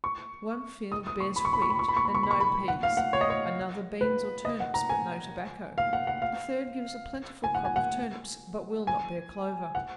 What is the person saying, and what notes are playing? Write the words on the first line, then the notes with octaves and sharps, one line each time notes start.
One field bears wheat, and no peas; another beans or turnips, but no tobacco; a third gives a plentiful crop of turnips, but will not bear clover.
C#6
D#6
D#6
C#6
B5
C#6
B5
C#6
B5
C#6
B5
C#6
B5
C#6
B5
C#6
B5
F#5
F5
F#5
C#5
D#5
C#5
B4
D#5
F#5
A#5
G#5
F5
F#5
F#5
F5
G#5
F#5
G#5
F#5
G#5
F#5